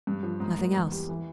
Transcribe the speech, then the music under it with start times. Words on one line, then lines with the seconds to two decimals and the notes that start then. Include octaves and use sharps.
Nothing else.
0.07 G2
0.23 F3
0.40 G#2
0.58 A#3
0.74 E2
0.91 G3
1.09 E3